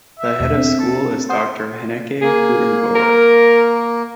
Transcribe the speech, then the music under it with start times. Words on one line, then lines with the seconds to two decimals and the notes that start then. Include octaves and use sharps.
The Head of School is Doctor Hanneke Grootenboer.
0.20 E5
0.40 E2 B2 A3
0.56 B3 C4 D4
0.80 A4
1.30 C5 F#5 D#6
2.22 A#3 G#4
2.95 A#4